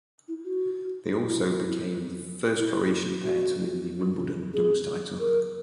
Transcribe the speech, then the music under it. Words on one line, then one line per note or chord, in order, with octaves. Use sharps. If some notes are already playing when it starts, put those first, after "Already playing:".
They also became the first Croatian pair to win the Wimbledon doubles title.
E4
F#4
E4
E4
F#4
G#4
A#4